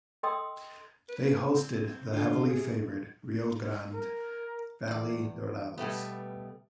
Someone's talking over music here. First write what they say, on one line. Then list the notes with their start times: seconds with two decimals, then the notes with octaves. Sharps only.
They hosted the heavily favored Rio Grande Valley Dorados.
0.23 A4 D#5 G5 C6 D#6 E6
1.09 B4
1.57 C4
2.12 D3 F4
2.49 C3 G#4
3.94 A#4
4.88 E2 D5
5.78 B2 G3 A3 B3